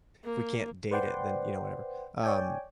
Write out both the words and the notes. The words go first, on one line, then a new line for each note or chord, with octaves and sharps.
if we can't date it, then, you know, whatever. Um
A#3
B4 C5 D5 F#5 G5 C6
C#5 D5 G5 G#5